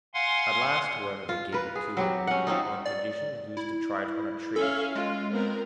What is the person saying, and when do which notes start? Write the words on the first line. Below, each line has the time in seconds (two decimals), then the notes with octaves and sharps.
At last, however, they gave it to him, on condition that he was to try it on a tree.
0.14 F5 F#5 G#5 C6
1.29 F4
1.52 A#4 B4
1.76 G#4
1.97 F#3 C4 G4
2.27 C#4 F#5
2.47 F3 C4 C#4 D#4
2.85 D5
3.57 E4
4.56 C#4 A4 E5 F5
4.95 G#3 F4
5.33 B3 C4 A#4